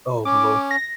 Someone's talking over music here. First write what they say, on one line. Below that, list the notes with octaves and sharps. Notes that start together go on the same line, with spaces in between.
Oh, hello.
C#4 D6
A#6